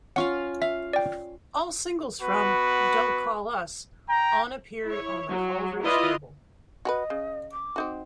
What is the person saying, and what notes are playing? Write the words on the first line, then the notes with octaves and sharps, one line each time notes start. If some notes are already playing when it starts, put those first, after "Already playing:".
All singles from "Don't Call Us..." on appeared on the Claridge label.
C#4 F4 F5 F#5 C#6
E5 F5
D5 G5
B3 F#4 B4
G5 A#5
E4 C#5
F#3
E4 F4 B4 D5 D#5
F#4 G4 B4 D#5
C#3
D6
C4 D#4 F#4